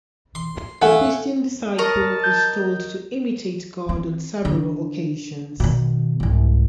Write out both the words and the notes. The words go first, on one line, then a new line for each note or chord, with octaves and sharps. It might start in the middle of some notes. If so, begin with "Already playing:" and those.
The Christian disciple is told to imitate God on several occasions.
C6
A3 F5 F#5 G#5
A#4 C#5 D#5 A5
G6
C4
D3 D4
B2 D#3
C2 G#2